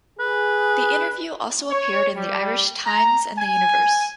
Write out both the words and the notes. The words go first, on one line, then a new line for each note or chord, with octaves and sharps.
The interview also appeared in The Irish Times and The Universe.
G#4 B4
C#5
G3
A#5
G#5